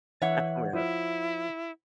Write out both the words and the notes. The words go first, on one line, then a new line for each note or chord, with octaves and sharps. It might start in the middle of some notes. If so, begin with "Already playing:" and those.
I don't know.
E3 C#5 E5 F#5
F3 E4